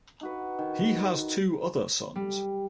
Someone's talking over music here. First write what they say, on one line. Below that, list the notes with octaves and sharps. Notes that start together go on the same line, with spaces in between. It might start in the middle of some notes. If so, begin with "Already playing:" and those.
He has two other sons.
D#4 F#4 B4
D#3
G3